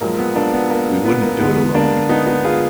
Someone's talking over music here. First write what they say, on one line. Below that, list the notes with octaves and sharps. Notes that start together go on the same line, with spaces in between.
We wouldn't do it alone.
B1 A#2 F3 G#3 A#3
B3
A#3 D4
B3
A#3
B3
A#3
D2 D3 G#3 B3
A#3 D4
B3 D#4
B3 D#4
F4 G#4